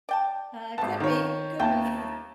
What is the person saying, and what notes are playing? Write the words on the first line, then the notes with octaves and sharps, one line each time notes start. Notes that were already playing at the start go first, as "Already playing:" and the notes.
Ah, could be could be,
D5 G5 A5
G#1 C#3 B3 A5
D#3 F3 A#3 C#5
D#2 E4 F4 G5 A5